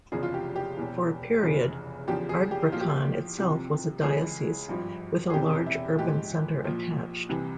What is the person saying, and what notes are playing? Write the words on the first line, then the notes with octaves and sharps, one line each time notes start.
For a period, Ardbraccan itself was a diocese, with a large urban centre attached.
F1 E2 C#3 F3 G#4
F4
G4
G4
E1 E2 E3
F1 E2 C#3 E3
E2 C#3 F3 G4
G#4
G4
A#1 A#2 F3 F4
G4
F4
C2 C3 F3
C#2 C#3 E3 G#4
G#1 G2 F3
G#4
E1 E2 C3 E3 G4
E4
A#1 G#2 E3 G4
A#1 A#2 F3
C2 C3 E3